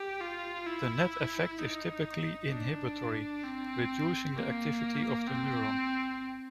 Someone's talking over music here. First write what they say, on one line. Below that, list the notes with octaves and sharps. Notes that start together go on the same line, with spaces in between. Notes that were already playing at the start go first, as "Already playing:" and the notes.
The net effect is typically inhibitory, reducing the activity of the neuron.
Already playing: G4
F4
E4
D#4
D4
C4
A#3
C4